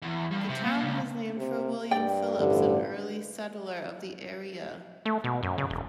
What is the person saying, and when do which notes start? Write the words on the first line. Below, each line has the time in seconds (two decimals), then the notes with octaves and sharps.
The town was named for William Phillips, an early settler of the area.
0.02 E2
0.31 G2
0.49 C3
0.63 A#2
0.83 C#2
1.37 C3
1.91 G2 D5 G5
2.38 A1 D2 G2 D3
5.05 A3
5.24 B2
5.43 F#2
5.58 C#3
5.70 E1